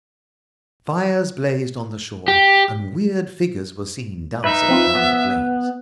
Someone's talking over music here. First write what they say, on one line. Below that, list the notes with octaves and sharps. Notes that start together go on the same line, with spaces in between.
Fires blazed on the shore and weird figures were seen dancing around the flames.
G4
D#4 B4 E5
F3 C4 F4
B3